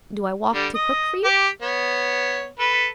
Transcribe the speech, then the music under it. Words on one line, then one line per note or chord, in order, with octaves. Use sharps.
'Do I walk too quick for you?'
D3 G3
D#5 D#6
G4 D6
B3 C#5
A4 B4